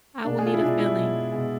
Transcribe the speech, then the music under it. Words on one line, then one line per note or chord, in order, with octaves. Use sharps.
I will need a filling.
B2 G#3 D4
G#4
F4
E4
B2 G#3 D4
E4
B2 G#3
B2 G#3